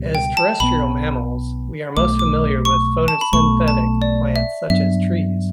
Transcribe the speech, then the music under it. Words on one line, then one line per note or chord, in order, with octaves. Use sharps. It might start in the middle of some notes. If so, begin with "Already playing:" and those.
As terrestrial mammals, we are most familiar with photosynthetic plants such as trees.
Already playing: C#2 B2 G3
G5
A5
B1 B2 G3 B3 B5
B1 B2 A3 D6
D6
C#6
A5
B5
B1 B2 A3 C#6
A5
D5
E5
G2 F#3 B3 D4 E5